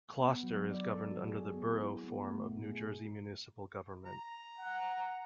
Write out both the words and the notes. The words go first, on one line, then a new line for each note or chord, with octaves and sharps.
Closter is governed under the Borough form of New Jersey municipal government.
B3
F#3
D5
A4
F#4
G#4
B3
E4
B3
A3
A#2
G#4
A#5
F#5